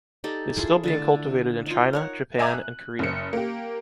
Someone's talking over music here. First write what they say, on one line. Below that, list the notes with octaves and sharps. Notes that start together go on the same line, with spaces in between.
It is still being cultivated in China, Japan and Korea.
D#4 G4 A4 D5
E4 F4 G#4 A4
D3 A3 A5
D#4 F4
A#4 C#5 F#5
D#5 E5 G#5 A#5 D6
F#6
F#1 C#7
A#3 G4